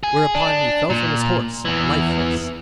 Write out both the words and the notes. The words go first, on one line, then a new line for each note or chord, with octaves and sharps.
Whereupon he fell from his horse lifeless.
G#4
D4
A#2
E2 E3